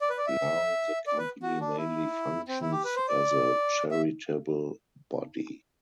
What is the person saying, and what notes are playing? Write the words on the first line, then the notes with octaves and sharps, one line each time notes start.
Now, the Company mainly functions as a charitable body.
D5
B4
D5
E5
D5
B4
F#4
D4
E4
C4
E4
G4
B4
C5
D5
E5